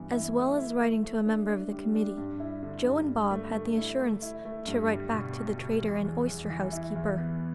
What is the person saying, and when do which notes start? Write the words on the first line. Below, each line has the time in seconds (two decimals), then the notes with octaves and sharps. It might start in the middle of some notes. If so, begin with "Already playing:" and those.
As well as writing to a member of the Committee, Joe and Bob had the assurance to write back to the trader and oyster-house keeper.
Already playing: G2 E3 B3
0.12 E4
0.35 A3
0.57 E4
0.81 A3
1.03 A3
1.25 D4
1.49 D4
1.72 G3
1.95 D4
2.17 G2
2.40 E4
2.63 D3
2.86 G2
3.09 D3
3.31 A3
3.54 A3
3.77 E4
3.99 A3
4.22 E4
4.45 A3
4.67 G2
4.91 G3
5.13 B2
5.37 B2
5.59 B2
5.82 E2
6.04 E2
6.27 E2
6.50 E3
6.72 E4
6.95 E2
7.18 B3